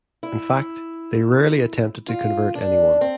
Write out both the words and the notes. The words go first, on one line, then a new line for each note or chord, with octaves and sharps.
In fact, they rarely attempted to convert anyone.
E4
F4
D4
C4